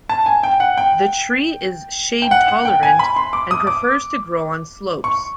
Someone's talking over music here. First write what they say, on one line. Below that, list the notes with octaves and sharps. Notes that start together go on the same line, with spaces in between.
The tree is shade-tolerant and prefers to grow on slopes.
A5
G#5
G5
F#5
G5
G5
F#5
F#5
G5
G#5
B5
C6
D6
D#6
D6
C#6